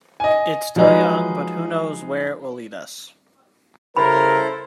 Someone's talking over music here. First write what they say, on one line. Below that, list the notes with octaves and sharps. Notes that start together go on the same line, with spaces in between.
It's still young, but who knows where it will lead us.
D#5 G#5
F3 F#3 G#3 D#4 G#4 B4
C#3 G3 E4 A4 A#4 C5 B5